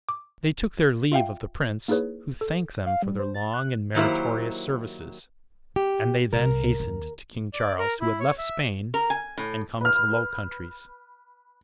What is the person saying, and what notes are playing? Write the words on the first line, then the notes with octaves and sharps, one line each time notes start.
They took their leave of the prince, who thanked them for their long and meritorious services; and they then hastened to King Charles, who had left Spain and come to the Low Countries.
D6
F4 E5 F5 G5
A#3 D#4 E4 G#4 B4 C#5
A4
F5
G3
C5
A6
F#6
D#3 F#3 A#3 E4 G4 C5
G4
C2 A#4
D#2
D5
A#4
E4
C#5
E5
A#4
G#5
A2
B4 F6